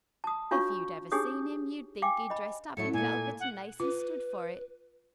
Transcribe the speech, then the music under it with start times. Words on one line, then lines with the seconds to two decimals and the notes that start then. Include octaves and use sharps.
If you'd ever seen 'im, you'd think 'e'd dressed up in velvet and lace and stood for it.
0.24 A5 D#6
0.51 D4 F4 F#4 C#5 F5 C#6
1.12 D4 D#4 G4 G#4 C#5 D#6
2.02 F5 G5 G#5 D6
2.30 D#5 B5
2.77 A2 F#3 A3 C#7
2.93 A#2 A3 G#5
3.40 F#5
3.80 F4 B4